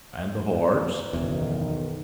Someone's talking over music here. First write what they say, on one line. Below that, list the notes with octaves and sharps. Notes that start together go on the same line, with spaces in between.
"And the horse?"
F#1 B1 E2 D#3